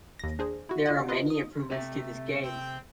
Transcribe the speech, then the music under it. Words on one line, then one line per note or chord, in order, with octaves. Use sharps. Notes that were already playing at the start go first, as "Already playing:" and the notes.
There are many improvements to this game.
D#2 A#6
D4 G#4 C5
E4 F#4
F4 F#4 D#5 F#5
F4 B4 D#5
D#6
C3 A3 E5
C4 G5